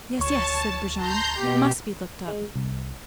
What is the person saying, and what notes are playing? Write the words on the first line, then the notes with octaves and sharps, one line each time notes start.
"Yes, yes," said Brujon, "it must be looked up."
D2 C#5 A5 C#6
A5 A#5 C6 G6
B2 G4
G#3
C2